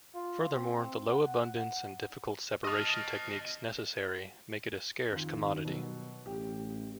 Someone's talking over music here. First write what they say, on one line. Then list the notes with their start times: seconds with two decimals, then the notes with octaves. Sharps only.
Furthermore, the low abundance and difficult separation techniques necessary make it a scarce commodity.
0.15 F4
0.51 C4
1.11 F#5
2.65 D#5 A5 D#6 F6
5.11 F2 D#3 F3
5.65 B2 F#3
6.26 A1 G4